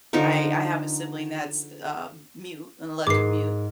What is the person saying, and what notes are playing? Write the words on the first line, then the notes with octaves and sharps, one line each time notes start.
I I have a sibling that's, um, mute, an elective mute.
D3 F3 D#4 A#4
G#2 A#4 D6 C7